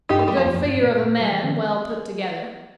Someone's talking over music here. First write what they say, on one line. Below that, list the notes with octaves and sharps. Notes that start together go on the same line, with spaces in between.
A good figure of a man; well put together.
G2 D#4 G4
A#3
F2 G3
F3
F2
A#2
G2
A#2
G3
F3
D#3